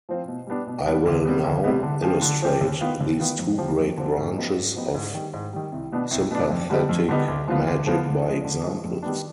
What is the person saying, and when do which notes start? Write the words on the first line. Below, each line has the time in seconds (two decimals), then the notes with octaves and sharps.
I will now illustrate these two great branches of sympathetic magic by examples.
0.09 F3 C4 F4
0.28 B2
0.47 G3 B3 D4
0.67 B2
0.86 G3 B3 D4
1.06 D2
1.25 C3 G3 B3
1.44 D2
1.64 C3 G3 B3
1.83 D3
2.02 F3 C4 G4
2.22 D3
2.42 F3 C4 G4
2.61 D#2
2.81 D#3 B3 F4
3.01 D#2
3.19 D#3 B3 F4
3.39 F2
3.58 D3 F3 C4 G4
3.78 F2
3.97 D3 F3 C4 G4
4.17 G#2
4.37 F3 B3 D#4 G4
4.55 G#2
4.75 F3 B3 D#4 G4
4.94 G#2
5.14 D#3 G3
5.34 G#2
5.53 D#3 G3
5.72 C2
5.92 B2 B3 D4
6.11 C2
6.31 B2 B3 D4
6.50 F2
6.70 D3 G3 B3 D#4
6.89 F2
7.09 D3 G3 B3 D#4
7.28 D2
7.48 D3 F3 B3 F4
7.67 D2
7.86 D3 F3 B3 F4
8.05 D3
8.26 F3 G#3
8.45 D3
8.64 F3 G#3
8.84 F2
9.03 D#3 G3 B3 D4